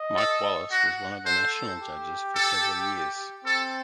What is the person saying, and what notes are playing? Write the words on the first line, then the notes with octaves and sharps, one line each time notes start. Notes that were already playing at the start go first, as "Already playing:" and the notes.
Mike Wallace was one of the national judges for several years.
Already playing: D#5
A4
F#4 F#5
A4 C5
G4
A4
C4 A4